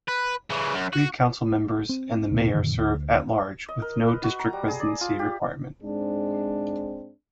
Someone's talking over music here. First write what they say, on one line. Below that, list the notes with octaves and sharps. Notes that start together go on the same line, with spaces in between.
Three Council Members and the Mayor serve "At Large" with no district residency requirement.
B4
C#3 E3
F#2
F#4
C4
D2 B2 B3
F#2 A#2 D3 D#3
D2
D#5
A#4
B4
F#4
A#5
G3
G#4
D5
F4
G4
G#2 G#3 C4 D4